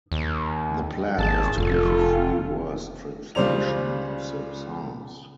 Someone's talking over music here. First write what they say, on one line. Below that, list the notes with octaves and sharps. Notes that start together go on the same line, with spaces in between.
The plan was to give a free verse translation of the Psalms.
D#2
G#1 G#4 A5
F1 F4 A4
C#2 C#3 G3 C5 D5 F7